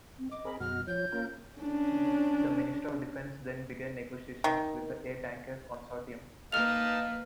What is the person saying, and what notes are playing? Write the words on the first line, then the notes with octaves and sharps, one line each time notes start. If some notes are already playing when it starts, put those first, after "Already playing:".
The Ministry of Defence then began negotiations with the AirTanker consortium.
C4
D#5 D6
C4 G#4 A#4 B5
F#2 B2 F#4 F6
F3 C#5 G6
A#3 C#4 F4 A#4
C#4 D4
D#3
A#3 D#4 B4 F5 A5 F6 F7